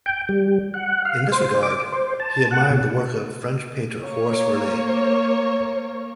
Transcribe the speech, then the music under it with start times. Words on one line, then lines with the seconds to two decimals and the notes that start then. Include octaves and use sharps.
In this regard he admired the work of French painter Horace Vernet.
0.06 G5
0.29 G3
0.74 F#5
1.05 F5
1.32 C5
1.63 D6
1.92 C5
2.20 A5
2.51 F#5
2.70 B2
4.03 A#3 C#5